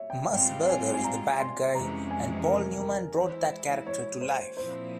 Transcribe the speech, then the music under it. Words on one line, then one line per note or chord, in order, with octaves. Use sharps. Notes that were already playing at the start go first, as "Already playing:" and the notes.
Mussburger is the bad guy and Paul Newman brought that character to life.
Already playing: C#5 E5
G5
G#2 G3 C4 F4 G5
G#5
G#5
A#5
C6
F2 C3 E3 G#3 C#4 A#5
G#5
A#4
A#4
E3 G#3 E4 C5
C#5
C5
A#2 F3 C4 E4 C5